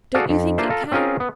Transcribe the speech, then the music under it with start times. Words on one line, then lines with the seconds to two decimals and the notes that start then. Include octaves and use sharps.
Don't you think it can?'
0.14 F#4 G#4 A4 D5 F5
0.29 F2
0.58 A#3 D4 F4 C5 E5
0.70 F4 A4 A#5
0.92 C4 C#4 F4 G#4 A#4
1.20 B3